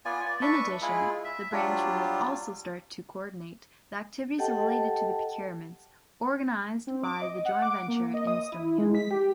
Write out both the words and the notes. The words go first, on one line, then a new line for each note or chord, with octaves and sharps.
In addition, the branch will also start to coordinate the activities related to the procurements organized by the join venture in Estonia.
B3 F4 D5 G#5
D5
D4 B4 E5 C#6
G#3 E4 F4 G#4
E5
F#3 G3 D4 F4
G4 A4 D#5 F#5 G5 A5
C4
D6
D#5
F#5
D6
A#3
D#5
D#6
E4
G#3
B6
G4